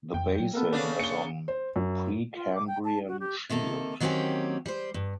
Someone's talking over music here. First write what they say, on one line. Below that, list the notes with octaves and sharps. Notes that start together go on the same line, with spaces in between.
The basin is on Precambrian shield.
F2 G5
F#3
A#3 B3 A4 A#4
C#3 D4
A#3 C#7 G7
C5
F#2
F4
D6
G5
A5
F#4
G4
C3 D#3 A#3 A4
D#3 F#3 A#3 C4 C#4 G4
G3 C5
G2